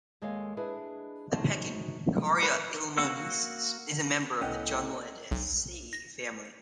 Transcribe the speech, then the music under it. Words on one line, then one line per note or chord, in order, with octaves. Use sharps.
The pecan, "Carya illinoinensis", is a member of the Juglandaceae family.
D#2 G#3 A4 C#5 F5 G#5
D4 E4 G#4 B4 D#5
F#2 F#3 G#3 D#4 C5 A5
B4
A#3 F#4 F#5 C#6 E6
C2 A2 B3 C#4 D#5 F#5 G5
B1
A#6